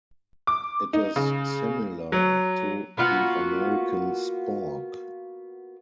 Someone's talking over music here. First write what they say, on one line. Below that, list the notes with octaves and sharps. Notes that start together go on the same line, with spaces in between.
It is similar to the American spork.
D6
D#4
C#3
F#3
A#3 B3 F4 F#4